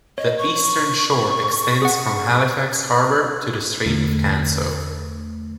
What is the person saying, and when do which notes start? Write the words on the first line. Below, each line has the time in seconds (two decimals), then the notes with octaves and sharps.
The Eastern Shore extends from Halifax Harbour to the Strait of Canso.
0.18 C#5 D#5
0.38 C#6
1.82 G#4 F#5
3.86 E2 D3 A3